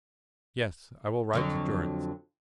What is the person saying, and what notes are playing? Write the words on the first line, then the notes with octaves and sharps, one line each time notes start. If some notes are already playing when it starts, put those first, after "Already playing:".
"Yes, I will write to Durrance."
F2 D3 F#3